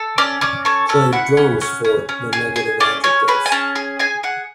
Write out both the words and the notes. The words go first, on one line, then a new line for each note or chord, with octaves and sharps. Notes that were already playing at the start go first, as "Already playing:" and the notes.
Played drums for "The Negative Adjectives".
Already playing: A4
C#4 D5
C#4 D5
A4 C#5
C#4 A4
E4 F#5
C#4
C#4
C#4
C#4
G#4
G#4
C#4 D5
C#4 C#5
G#4 B4
G#5
C#4 A5
G#4
G#4 G#5
G#4 F#5